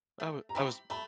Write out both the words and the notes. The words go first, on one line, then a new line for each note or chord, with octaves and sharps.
I wa I was
A3
A#5
C4 E4 G4 B5
A3 B5